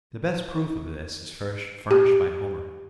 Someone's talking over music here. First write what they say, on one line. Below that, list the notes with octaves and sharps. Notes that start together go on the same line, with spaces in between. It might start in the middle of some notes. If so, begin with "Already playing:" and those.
The best proof of this is furnished by Homer.
G4